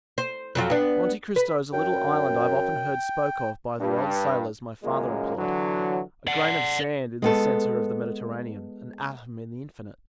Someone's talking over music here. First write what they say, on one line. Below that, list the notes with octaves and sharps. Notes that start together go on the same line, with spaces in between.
"Monte Cristo is a little island I have often heard spoken of by the old sailors my father employed--a grain of sand in the centre of the Mediterranean, an atom in the infinite."
C5
F2 F#3 F4
B3 D4
B4
F#2 G5
G2
C#2 F#2 A#2 G#3 A#3
D3 E3 F#3
D5 F#5
G#3 B3 A4